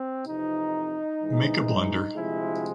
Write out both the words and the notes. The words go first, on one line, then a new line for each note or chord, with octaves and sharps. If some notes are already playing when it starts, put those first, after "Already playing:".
Make a blunder.
Already playing: C4
F2 C3 E3 D#4
G#2 E3 G#3
D2 C3 F3 G#3 E4